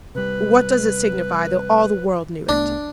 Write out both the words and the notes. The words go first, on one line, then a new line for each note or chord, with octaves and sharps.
"What does it signify though all the world knew it?"
C3 G3 B4
C2 A3 B3 D4